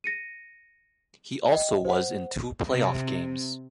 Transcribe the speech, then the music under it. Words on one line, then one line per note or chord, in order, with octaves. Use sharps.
He also was in two playoff games.
A#6 C#7 D#7
D#5 G5
C5 F#5
C3